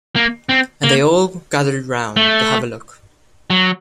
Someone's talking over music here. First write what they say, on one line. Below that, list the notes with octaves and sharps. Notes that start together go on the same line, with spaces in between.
And they all gathered round to have a look.
A#3
C4
A#3
A3
F#3